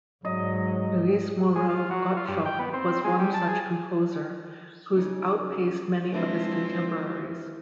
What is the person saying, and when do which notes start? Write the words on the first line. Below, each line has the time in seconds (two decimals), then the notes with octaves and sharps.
Louis Moreau Gottschalk was one such composer who outpaced many of his contemporaries.
0.25 G#2 F#3 D#5
1.56 G#3
1.69 F4
1.91 F#3
2.17 F4
2.28 G2
2.46 G5
2.59 B3
2.74 C4
3.04 G#3
3.19 G3
3.34 A5
3.48 G#4
4.96 C#3 D#4
6.12 E3 F3 G#3 C4 D4 E4